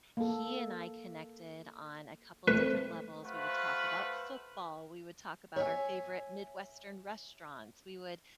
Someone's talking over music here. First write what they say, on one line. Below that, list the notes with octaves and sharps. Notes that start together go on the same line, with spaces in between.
He and I connected on a couple different levels, we would talk about football, we would talk about our favorite Midwestern restaurants, we would
A#3 A4
A3 C4 B4
A3 F#4 B4 C5 F5 F#5
C#5 E5 F5 G#5